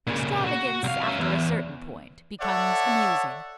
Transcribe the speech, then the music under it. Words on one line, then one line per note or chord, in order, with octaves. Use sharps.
Extravagance after a certain point becomes amusing.
A#2 C#3
F#4
C2 F5
C#4 E5
E2
A4 C#5 D5 E5 F#5